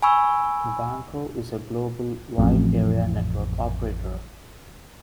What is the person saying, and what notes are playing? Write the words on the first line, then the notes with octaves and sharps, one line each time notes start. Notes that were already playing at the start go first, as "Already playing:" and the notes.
Vanco is a global Wide Area Network Operator.
G#5 B5 C#6 E6
A1 F2